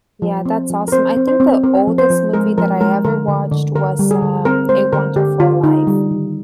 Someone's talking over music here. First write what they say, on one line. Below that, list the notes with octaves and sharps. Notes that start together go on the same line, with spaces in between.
Yeah, that's awesome. I think the oldest movie that I ever watched was, uh, A Wonderful Life,
F3
C4
F3
A#4
C4 C5
C4
C5
C4
C4 A#4
F3
C5
F3
G#3 A#4
F3 A#4
G#3 A#4
D3 A#4
D3
D3
D3 A#4
G3
G#4
D3
C4 A#4
G#3 C5
D3 A#4
D3 G4
D3 F4
D3 D#4
G3
D#3